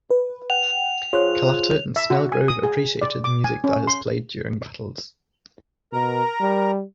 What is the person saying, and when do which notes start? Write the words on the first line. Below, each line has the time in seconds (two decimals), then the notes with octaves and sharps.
Kalata and Snelgrove appreciated the music that is played during battles.
0.10 B4
0.50 F#5 G5 F7
1.13 F4 G#4 C5 C#5 F#6
1.96 E5
2.10 F#4
2.32 G#5
2.48 D#6
2.63 G#4
3.01 D5
3.24 D6
3.44 G#5
3.64 C#4
3.87 C6
5.93 B2 A#4 A#5
6.41 G3